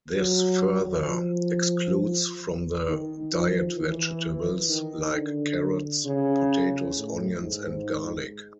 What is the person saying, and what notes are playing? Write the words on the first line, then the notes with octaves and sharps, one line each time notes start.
This further excludes from the diet vegetables like carrots, potatoes, onions and garlic.
F#3
F3
D#3
F3
E3
D#3
D3
C#3
A2
G#2